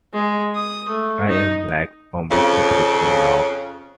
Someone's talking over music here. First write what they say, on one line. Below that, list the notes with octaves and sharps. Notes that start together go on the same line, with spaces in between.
I'm like obsessed with him now.
G#3
D#6
A3
D#4
F2 C#3